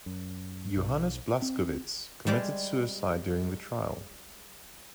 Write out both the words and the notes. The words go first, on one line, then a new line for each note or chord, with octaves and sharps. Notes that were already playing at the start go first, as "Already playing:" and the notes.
Johannes Blaskowitz committed suicide during the trial.
F#2
B1
C4
G3 G#3 C5 D5